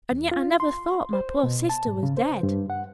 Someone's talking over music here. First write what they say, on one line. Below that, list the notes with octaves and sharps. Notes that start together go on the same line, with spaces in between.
And yet I never thought my poor sister was dead.
E2
F4
C6
C5
B2
A5
G#2
C#3
C5
G2
F#5